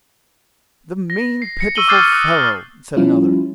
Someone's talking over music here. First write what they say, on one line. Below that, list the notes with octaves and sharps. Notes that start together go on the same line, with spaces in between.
"The mean, pitiful fellow!" said another.
A#6
C7
C#7
C#6 E6 D#7 F#7 G7
C#6 D6 F6 G6 A6 C7
D#6 E6 F#6
F3 G3 C#4 E4 F4